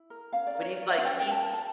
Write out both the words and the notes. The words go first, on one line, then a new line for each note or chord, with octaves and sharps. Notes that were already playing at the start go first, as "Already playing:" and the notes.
But he's like, he's
Already playing: E4
A#4
C#4 F5
D5
A#4
C#5
C#4 D5
E5
C#4 F5
G5
A#4 G5
A5
A#4 A5
A5